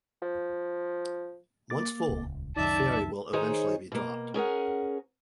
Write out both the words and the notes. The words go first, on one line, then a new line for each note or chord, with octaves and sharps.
Once full, a fairy will eventually be dropped.
F3
A#3 D6 A6
D#1 C#2
C#2 F#2 D#3 D#4 D5 E5 A5
D#3 D#4 G#4 C5 C#5
B2 A#3
C#4 G#4 A#4 F#5